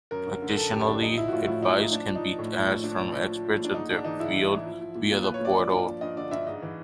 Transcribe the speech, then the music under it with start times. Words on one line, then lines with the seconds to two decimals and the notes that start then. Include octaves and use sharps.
Additionally, advice can be asked from experts of their field via the portal.
0.11 F#2 A#4
0.27 D3
0.42 D3
0.57 F#2 A4
0.72 F#2 G4
0.87 D3 D4
1.03 F3 D#4
1.17 F3 E4
1.28 F#4
1.32 A2 F4
1.47 A2 E4
1.63 F3 D#4
1.78 A2 D#4
1.92 F3 D4
2.08 F3
2.15 D#4
2.23 F3
2.39 A2
2.54 F3
2.68 A2
2.83 F3 D4
2.99 F3
3.14 F3
3.29 F3
3.45 F3
3.60 A#2 D4
3.74 G#2 D#4
3.90 G#2 D4
4.05 E3 D#4
4.20 G#2 E4
4.36 E3
4.51 E3
4.65 F3
4.81 F3
4.95 A#2
5.11 A#2 F4
5.22 B4
5.26 F3
5.34 C#5
5.40 A#2 D5
5.56 F3
5.72 G2
5.87 F3
6.01 G2 D#5
6.16 D3 D5
6.31 G2 E5
6.47 G#2 D#5
6.63 E3